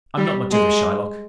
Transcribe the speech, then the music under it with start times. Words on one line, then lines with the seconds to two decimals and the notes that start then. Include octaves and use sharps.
I'm not much of a Shylock.
0.17 G3
0.51 G#3